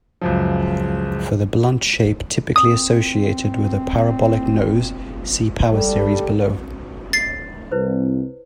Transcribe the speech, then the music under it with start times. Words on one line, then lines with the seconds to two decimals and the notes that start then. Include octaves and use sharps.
For the blunt shape typically associated with a parabolic nose, see power series below.
0.21 C#2 F#2 F3
2.56 C4 D#6
5.74 G3 A4
7.13 A6 C7
7.72 C2 E4 B4 C5